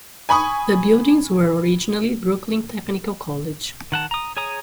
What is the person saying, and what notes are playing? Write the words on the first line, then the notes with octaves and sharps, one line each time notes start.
The buildings were originally Brooklyn Technical College.
G#5 B5 C#6 D#6
D#3 F#5 A5
A#5 D#6
G#4 C#5 G#5 A#5 D#6